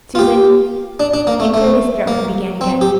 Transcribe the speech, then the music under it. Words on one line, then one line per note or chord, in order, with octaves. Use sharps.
"Susan." He cleared his throat and began again.
F4
G4
D4
D4
A#3
A3
A3
A#3
C4
G4